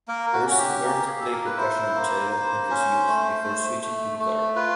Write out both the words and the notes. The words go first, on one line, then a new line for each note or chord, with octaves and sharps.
Hersey learned to play percussion and cello in his youth before switching to guitar.
A#3 A#4
F#4
C#4 F#4
G4
A#3
G#4
A#3 A4
A#4
B4
E4 C5
A#3
A#3
C#4
A3
A3
A3
A3
F4 B4